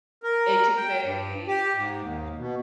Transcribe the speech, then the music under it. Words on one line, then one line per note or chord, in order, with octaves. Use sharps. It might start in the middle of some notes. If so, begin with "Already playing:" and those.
etouffée, and
A#4
G5
G2
G4
G#2
D#2
B2